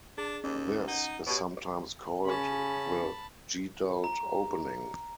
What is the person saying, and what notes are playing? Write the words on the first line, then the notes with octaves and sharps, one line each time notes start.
This is sometimes called the Gedult Opening.
D4 G#4
D#2 C#4
D#4 F#5
B2 G4 C#5
C#3 C#4 A5 B5
A#5